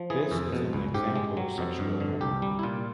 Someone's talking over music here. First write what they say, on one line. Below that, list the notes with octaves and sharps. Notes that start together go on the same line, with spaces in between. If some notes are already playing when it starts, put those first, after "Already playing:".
This is an example of sexual weaponry.
Already playing: F3
E3 G#4
F2
B2
C#2
G#2 G4
G#3
F#3
F2
G2
D3
C2 G4
G3
E4
A#2 F4